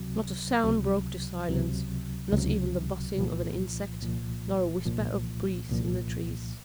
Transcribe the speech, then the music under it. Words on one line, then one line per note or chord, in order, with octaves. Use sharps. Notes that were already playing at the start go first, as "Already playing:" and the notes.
Not a sound broke the silence, not even the buzzing of an insect, nor a whisper of breeze in the trees.
Already playing: C#2 C3 F#3
C#2 C3 F#3
C#2 C3 F#3
C#2 C3 F#3
C2 A#2 F3
C2 A#2 F3
C2 A#2 F3
C2 A#2 F3